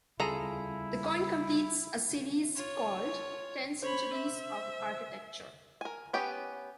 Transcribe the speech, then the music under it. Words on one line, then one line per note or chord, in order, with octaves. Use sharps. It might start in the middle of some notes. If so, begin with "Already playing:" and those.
The coin completes a series called "Ten Centuries of Architecture".
C#3 G3 C4 E4 F4 G#4 A4 A#5
F4 C#5
C5 C#5 B5
E5
A#4 G#5
B3 C#4 G4 C#5